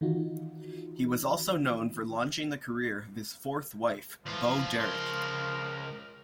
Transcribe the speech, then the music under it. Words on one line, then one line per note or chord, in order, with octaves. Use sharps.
He was also known for launching the career of his fourth wife, Bo Derek.
D#3 E3 D#4 F4 F#4
E2 E3 F3 F4
C#2 A#4 C6